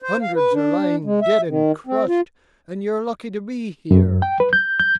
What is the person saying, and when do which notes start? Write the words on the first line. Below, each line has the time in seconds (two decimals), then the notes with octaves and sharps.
Hundreds are lying dead and crushed; and you are lucky to be here.
0.02 C5
0.22 F5
0.35 B4
0.53 D4
1.04 G#3
1.22 E5
1.48 D#3
1.87 C4
2.08 F4
3.91 F#2
4.22 G5
4.40 B4
4.53 G6
4.80 G6